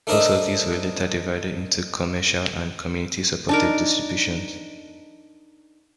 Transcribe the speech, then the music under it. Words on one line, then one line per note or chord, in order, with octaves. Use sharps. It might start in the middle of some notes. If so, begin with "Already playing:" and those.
Both of these were later divided into commercial and community-supported distributions.
A3 D4 A#4 C5 D#5 E5
D4 D#4 A#4